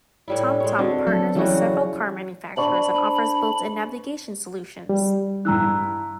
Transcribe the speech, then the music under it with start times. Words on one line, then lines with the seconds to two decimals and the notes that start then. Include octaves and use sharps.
TomTom partners with several car manufacturers and offers built-in navigation solutions.
0.28 A2 G3 E4
0.60 G#3 C#5
0.79 D3 C4 F#4
1.07 F#3 A4
1.35 C#3 E3 G3 C#4 E4 F#4
2.57 D4 C5 D5 B5 C#6
4.89 G3
5.45 G2 E3 A#5 E6 F#6